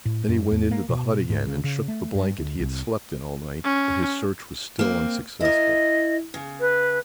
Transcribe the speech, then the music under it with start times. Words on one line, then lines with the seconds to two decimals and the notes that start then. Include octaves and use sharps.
Then he went into the hut again, and shook the blanket he had slept in all night, but his search was still unsuccessful.
0.05 A2
0.29 F#2
0.51 E2
0.71 A#3
0.89 B2
1.30 G#2
1.47 C#3
1.64 C#3
1.88 A3
2.14 G2
2.38 D2
2.60 C2
3.64 C#4
4.79 A#3 C4
5.40 E4 A#4 D#5
6.34 C#3
6.60 B4